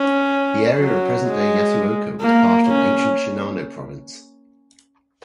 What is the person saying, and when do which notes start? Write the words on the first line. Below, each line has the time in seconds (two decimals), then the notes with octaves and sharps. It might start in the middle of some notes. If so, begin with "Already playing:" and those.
The area of present-day Yasuoka was part of ancient Shinano Province.
Already playing: C#4
0.79 F#3
1.27 G#3
2.21 A#3
2.68 C#4